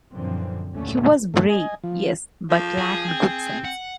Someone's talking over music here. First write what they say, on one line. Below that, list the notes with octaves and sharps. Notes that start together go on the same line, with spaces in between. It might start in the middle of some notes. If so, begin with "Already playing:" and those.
He was brave, yes, but lacked good sense.
A#1 F#2 D3 E3 F3 C4
F1 D#2 A#2 D3 A3 C#4
G2 A3
D#5 G#5
F3
F3
G#4
C4
F#5